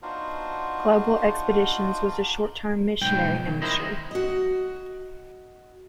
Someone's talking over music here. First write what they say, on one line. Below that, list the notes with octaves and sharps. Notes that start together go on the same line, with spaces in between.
Global Expeditions was a short-term missionary ministry.
B3 D4 D#4 F4 F#4 C5
B1 G#2 G5
D#3
E4 A#4 C5 D#5
F#4 D#5